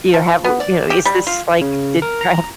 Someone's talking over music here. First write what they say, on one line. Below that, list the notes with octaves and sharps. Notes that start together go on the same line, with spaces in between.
you know, "have we" you know, "is this like did" right
F3
B3
D5
G4
G3
F4
C#3
A#4
A#5